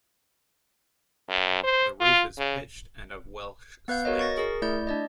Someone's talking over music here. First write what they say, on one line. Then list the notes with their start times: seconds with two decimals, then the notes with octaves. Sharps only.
The roof is pitched and of Welsh slate.
1.29 F#2
1.63 C5
2.00 F4
2.38 C#3
3.88 B3 B4 F5 G6
4.05 F#4 A#4 C#5 D#5
4.19 C#6 A6 A#6
4.38 G#4 A#4
4.62 A3 E4 D5 G6
4.87 D4 D5 D#5